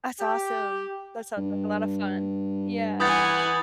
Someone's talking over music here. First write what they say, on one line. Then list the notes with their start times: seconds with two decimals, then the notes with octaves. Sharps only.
That's awesome. That sounds like a lot of fun. Yeah.
0.20 G4
1.38 G2
3.00 E3 F#5 G#5 D#6 G6 A6